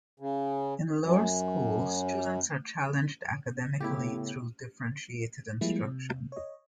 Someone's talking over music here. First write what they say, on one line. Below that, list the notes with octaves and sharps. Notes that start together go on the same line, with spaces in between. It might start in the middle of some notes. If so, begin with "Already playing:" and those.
In Lower School, students are challenged academically through differentiated instruction.
C#3
F#2
A2 C#3 B3 E4 G4
F3 G3 G#3 A#3 E4 G#4
C3
C#5 D#5